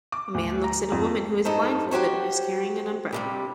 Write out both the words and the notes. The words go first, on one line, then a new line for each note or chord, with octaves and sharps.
A man looks at a woman who is blindfolded and is carrying an umbrella.
D6
D2
A#5
F2
G2 D#4 A4 C5
F#4 G4 C5 C#5
G2 C3 G3